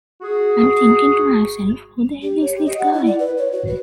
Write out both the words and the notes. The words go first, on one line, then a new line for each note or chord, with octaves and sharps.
I'm thinking to myself, 'Who the hell is this guy?
F#4 G#4
G4
C#5
G4
D#5
F#5
E4
D5
B4
C#5
F#4
B4